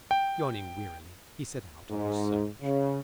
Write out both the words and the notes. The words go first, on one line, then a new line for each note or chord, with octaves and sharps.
Yawning wearily he set out on his search.
G5
G#2
C#3